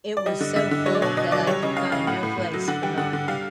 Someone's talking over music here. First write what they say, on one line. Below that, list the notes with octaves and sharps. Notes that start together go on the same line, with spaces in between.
It was so full that I could find no place for mine.
D5
G3 D#5
D3
D3 E5
D3
F#3 C#5
D5
B2 C#5
B2 D#5
F#3 D5
G3 C#5
C#3 D#5
C#3 F5
C#3 F5
A2 F#5
A2
A2
F#3
D3 F#5
G3 G5
D3 F#5
D3
G3 F5